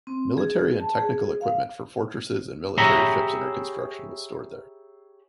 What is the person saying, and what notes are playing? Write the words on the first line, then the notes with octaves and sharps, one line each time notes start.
Military and technical equipment for fortresses and military ships under construction was stored there.
C4
G#4
A5
G#4
F5
G4 G#4 C#5 E5 A#5 B5